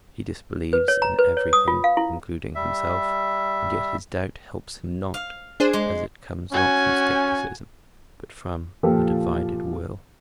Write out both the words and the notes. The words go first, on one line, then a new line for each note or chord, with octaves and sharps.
He disbelieves in everything, including himself, and yet his doubt helps him not, as it comes not from scepticism but from a divided will.
B4
C#5
A#5
B4
C#5
D#6
F4
F5
E4
G3 E5
F5
D4 G#4 C5
G#3
C#4 F#4 G#5
A#2 F3 F4 G4 A4